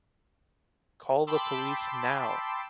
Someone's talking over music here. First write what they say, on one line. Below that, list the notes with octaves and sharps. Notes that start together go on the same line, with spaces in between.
Call the police now!
G5 A5 B5 C6 D6 E6